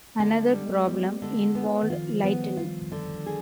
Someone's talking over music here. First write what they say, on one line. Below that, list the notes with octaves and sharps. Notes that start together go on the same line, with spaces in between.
Another problem involved lighting.
D3 B3
G#3
G3
G#3
G3 B3
D3 G#3
B3
D#3
F3 F4
F3
G3 B3
F4
D3
G#4